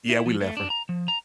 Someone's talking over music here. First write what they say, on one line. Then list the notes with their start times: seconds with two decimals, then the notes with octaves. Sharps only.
Yeah, we left her.
0.09 E4
0.26 F3
0.41 A3
0.57 D4
0.70 A#5
0.89 F3
1.08 A#5